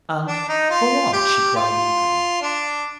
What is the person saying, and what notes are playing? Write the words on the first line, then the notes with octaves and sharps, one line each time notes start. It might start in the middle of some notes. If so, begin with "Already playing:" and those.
And--'Go on,' she cried eagerly.
D4
D#4
F4
G4
F4
D4